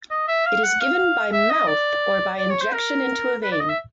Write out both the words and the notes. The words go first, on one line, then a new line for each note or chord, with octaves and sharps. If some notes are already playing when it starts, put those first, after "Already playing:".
It is given by mouth or by injection into a vein.
D#5
E5
F5
F#5
F5
E5
D#5
D5
D5
C#5
C5
A#4
B4
D5
D#5
E5